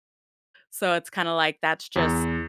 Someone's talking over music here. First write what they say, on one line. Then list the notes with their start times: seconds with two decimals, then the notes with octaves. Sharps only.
so it's kinda like that's just
1.96 E2